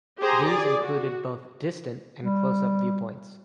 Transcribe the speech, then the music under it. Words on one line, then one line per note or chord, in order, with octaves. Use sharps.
These included both distant and close-up viewpoints.
G4 G#4 C5 A#5 C6
G#4 D5
F#4
G3